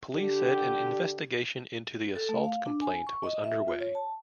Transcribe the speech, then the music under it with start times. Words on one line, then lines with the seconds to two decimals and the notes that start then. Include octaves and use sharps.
Police said an investigation into the assault complaint was underway.
0.14 D3 G4
2.15 A4
2.29 A3
2.44 F5
2.66 D4
2.81 G#5
3.07 C#6
3.24 D#5
3.44 E5
3.68 F4
3.80 C#5
3.95 A5